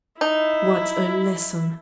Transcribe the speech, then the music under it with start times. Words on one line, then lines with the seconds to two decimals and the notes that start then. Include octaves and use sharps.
What a lesson!
0.21 D#4 E4